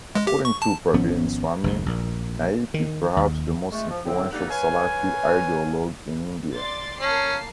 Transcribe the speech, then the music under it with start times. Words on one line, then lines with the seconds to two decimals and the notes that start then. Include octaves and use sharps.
According to Praveen Swami, Naik is "perhaps the most influential Salafi ideologue in India".
0.15 G#3
0.27 G4
0.45 C#6
0.62 A5
0.93 G#1 F3 B3 C#4
1.64 F#1 D#2 G#2
1.86 A#1 A#2
2.74 D#3
3.17 D#2
3.72 G#3 A3
3.90 F3
4.05 A2 D3 C4
4.33 D3 G3 A#3 D#4 A4 B4
4.50 B4 C#5 F5 G#5
6.53 D5 C6 A6
7.00 A#3 C#4 A5 C7